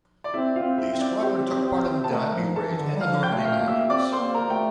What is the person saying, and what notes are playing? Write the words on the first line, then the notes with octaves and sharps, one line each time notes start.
The squadron took part in the Dieppe Raid and the Normandy landings.
D5
C4 E4 E5
F4 F5
C4
E4 E5
C4
D5
G4 G5
A5
A3 A#4 A#5
F3
E3 A4 A5
E3
D3
G3
F3 F5 F6
G5 G6
A3
F5 F6
A#3
E5 E6
C4 D5 D6
C5 C6
A#3
A#4 A#5
A3 G5